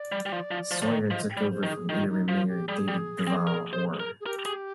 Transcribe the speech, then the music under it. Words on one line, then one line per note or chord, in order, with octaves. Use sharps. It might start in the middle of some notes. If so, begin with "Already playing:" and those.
Sawyer took over from interim mayor David Duvall Orr.
Already playing: D5
G3
G3
F3
F3
F3
F3
D#3
F3 D#5
G5
G3
C5
D#3
G#4
D#3 F4
D#4
F3 F4
G4
G3 G#4
G3
C4
A#4
C5
A#4
G#4
G4 A#4
G#4